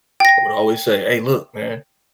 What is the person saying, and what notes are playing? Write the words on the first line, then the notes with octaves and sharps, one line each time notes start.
would always say, "Aye, look, man,"
G5 A#6